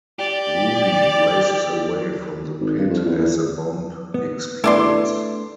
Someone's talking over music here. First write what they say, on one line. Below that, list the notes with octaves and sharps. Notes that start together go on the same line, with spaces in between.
Rudy races away from the pit as the bomb explodes.
G4 D5
G#1
G2
F2
E2
E2
B3
A3 B3 D4 E4 D5 C6